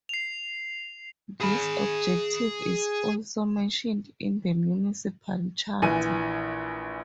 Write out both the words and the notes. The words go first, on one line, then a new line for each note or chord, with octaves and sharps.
This "objective" is also mentioned in the municipal charter.
C7 F7
G#4 B5
A#1 E3 G#5 D#7